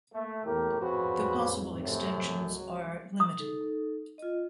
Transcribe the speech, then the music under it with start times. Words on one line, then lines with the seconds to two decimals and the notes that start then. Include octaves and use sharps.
The possible extensions are limited.
0.13 A3 A#3
0.46 E2 A2 G4 A#4
0.81 A1 F2 G#2 C#3 C4 F#4 B4
1.82 F#2 C3 A3
2.41 C#2 F#3
3.20 D#6
3.39 D#4 A4
4.18 F4 D#5